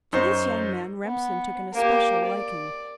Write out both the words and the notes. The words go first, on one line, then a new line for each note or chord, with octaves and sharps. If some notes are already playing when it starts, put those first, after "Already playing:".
To this young man Remsen took an especial liking.
F#2 D#4 C5 C#6
B3
A#3 G4
D5